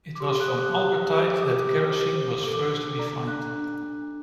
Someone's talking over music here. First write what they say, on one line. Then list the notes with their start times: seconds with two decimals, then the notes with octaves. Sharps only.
It was from Albertite that kerosene was first refined.
0.16 D6
0.20 G4 C6
0.40 F#6
0.47 C5 D#6
0.64 F#6
0.76 G4 D#6
1.04 G4
1.31 C5 D6
1.41 D#6
1.52 D6
1.60 G4
1.87 C5
2.15 C5
2.44 A4 D6
2.72 D4
2.99 D5 A#5
3.27 D4 F#6
3.55 D4
3.84 D4